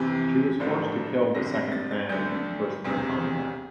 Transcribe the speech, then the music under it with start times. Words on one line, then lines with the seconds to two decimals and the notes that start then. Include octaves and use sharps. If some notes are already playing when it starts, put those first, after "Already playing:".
She was forced to kill the second Fang in personal combat.
Already playing: G1 F2 C3 E3
0.60 A1 G2 D3 F3 A3
1.34 G1 F2 D3 G3 A#6
1.53 A#6
1.72 A6
1.91 A6
2.09 D2 D3 A3 G6
2.85 E1 D2 C3